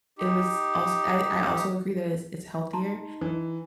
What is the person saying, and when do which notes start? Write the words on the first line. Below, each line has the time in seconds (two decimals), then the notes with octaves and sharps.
it was als I I also agree that it's it's healthier,
0.18 D#4 G4
2.73 D#4 A5 A#5 C6
3.21 E3